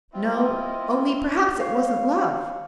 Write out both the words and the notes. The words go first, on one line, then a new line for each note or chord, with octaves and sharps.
"No, only perhaps it wasn't love."
C4 E4 F4 D#5
C#5 F5